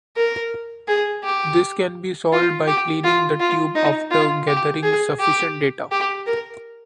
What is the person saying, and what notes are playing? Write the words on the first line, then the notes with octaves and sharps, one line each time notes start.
This can be solved by cleaning the tube after gathering sufficient data.
A#4
G#4
G4
F4
G4
F4
F4
D#4
F4
G4
G#4
G4
G4
A#4